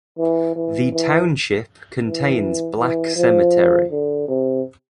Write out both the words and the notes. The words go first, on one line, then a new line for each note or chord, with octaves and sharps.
The township contains Black Cemetery.
E3
E3
E3
E3
E3
F3
D3
C3